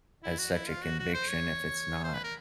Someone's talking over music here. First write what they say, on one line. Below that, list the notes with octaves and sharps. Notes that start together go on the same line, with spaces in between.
as such a conviction if it's not
E4
F#4
E4
F4
F#4
F#4
C5
C#5
C5
B4
A#4